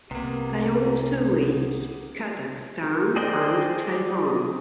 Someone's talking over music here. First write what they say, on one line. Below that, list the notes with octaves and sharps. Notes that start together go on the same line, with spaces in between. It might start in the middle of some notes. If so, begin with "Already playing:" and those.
They also reach Kazakhstan and Taiwan.
C2 C3 A#3 B3
G#4 C5 D5 D#5 G5